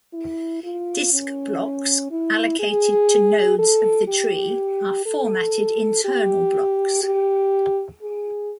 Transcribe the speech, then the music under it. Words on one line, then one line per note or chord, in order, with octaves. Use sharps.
Disk blocks allocated to nodes of the tree are "formatted internal blocks".
E4
F4
C#4
E4
G#4
A4
G4
A4
G4
G4
G#4